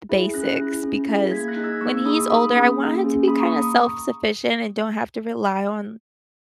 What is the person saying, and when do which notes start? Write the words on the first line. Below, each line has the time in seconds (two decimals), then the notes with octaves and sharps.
the basics," because when he's older, I want him to be kinda self-sufficient and don't have to rely on
0.09 E4 G#4
0.34 C#4 F#6 A#6
0.59 E4 G#4
0.83 C#4
1.08 E4 G#4
1.31 A#3 G#6 B6
1.48 F#6 A#6
1.56 D#4 G#4
1.64 E6 G#6
1.81 A#3 C#6 E6
2.06 D#4 G#4 B5 D#6
2.30 A#3 B5 D#6
2.55 C#4 G#4
2.79 A#3
3.04 C#4 G#4
3.27 A#3 B5 D#6
3.40 A#5 C#6
3.52 D#6